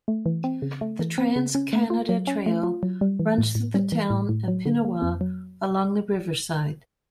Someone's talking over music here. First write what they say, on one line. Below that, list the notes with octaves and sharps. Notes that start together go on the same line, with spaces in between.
The Trans-Canada Trail runs through the town of Pinawa along the Riverside.
A3
E3
C4
C#3
A3
E3
C4
C#3
C#4
A3
F4
F#3
C#4
A3
F4
F#3
G3
E3
A2
A2
G3
E3
A2
A2
F#3
D3
A#3
F2
F#3